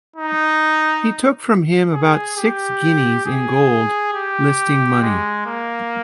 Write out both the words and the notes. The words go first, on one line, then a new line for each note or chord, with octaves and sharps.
He took from him about six guineas in gold, listing-money.
D#4
G#4
G4
G#4
G4
G#3
A#3